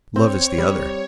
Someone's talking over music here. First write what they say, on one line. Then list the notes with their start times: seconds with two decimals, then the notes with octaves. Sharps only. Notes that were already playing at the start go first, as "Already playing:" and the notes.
Love is the other.
0.16 C4 C#5
0.58 G3